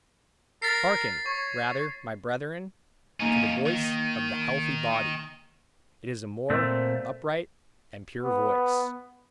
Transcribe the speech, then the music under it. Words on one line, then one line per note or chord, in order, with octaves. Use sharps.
Hearken rather, my brethren, to the voice of the healthy body; it is a more upright and pure voice.
A#4 A6 B6 C7
C#5 C#6
E2 A#3 C#4 D#4
D#3
A#2 A3 C4
B3